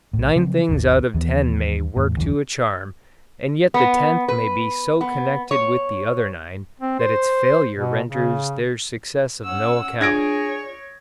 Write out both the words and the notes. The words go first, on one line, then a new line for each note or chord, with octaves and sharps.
Nine things out of ten may work to a charm, and yet the tenth may be so connected with the other nine, that its failure renders their success of no account.
A#1 A2
C#3 F3 F#3 C4
G#1 D#2 D3 D4
D#2 E3 G3 B3
E2 A2
F#1 D#2 E3 F#3
B3
B4
B3
C#5
C4
C5
B2
C#3
C#4 F#5 E6
D4 F4 G#4 C#5 G#6 A#6 D7